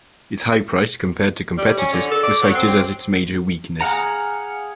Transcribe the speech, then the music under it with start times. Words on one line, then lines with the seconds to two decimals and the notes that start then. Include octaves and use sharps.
Its high price compared to competitors was cited as its major weakness.
1.58 G3
1.78 C#4
1.93 D3
2.11 A4
2.23 D5
2.42 F#3
2.55 C4
2.67 C4
3.81 G#4 F5 F#5 A#5